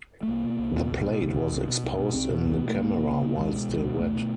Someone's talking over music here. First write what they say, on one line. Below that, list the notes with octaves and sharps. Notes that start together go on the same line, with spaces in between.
The plate was exposed in the camera while still wet.
A3
C2 A#3
B2
C2
B2
C2
B2
C2
B2
C2
B2
C2
B2
C2 C4
B2
B3
C2
B3
B2
A3
C2 A#3
B2
C2
B2
C2 G#3
B2
C2
B2
C2 A3
B2